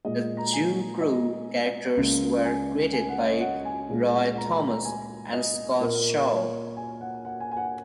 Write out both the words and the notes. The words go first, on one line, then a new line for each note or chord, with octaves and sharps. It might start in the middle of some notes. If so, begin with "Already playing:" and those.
The Zoo Crew characters were created by Roy Thomas and Scott Shaw.
A#2 G#3 D#5
A#5
G#5
D#5
C#2 C#3 A#3
G#5
G#5
F#5
C#5
D#5
F#5
G#5
A#2 G#3
A#5
A#5
G#5
D#5
A#2 A#3 A#4
C#5
G#5
F#5
F#5
G#5
G#5
F#5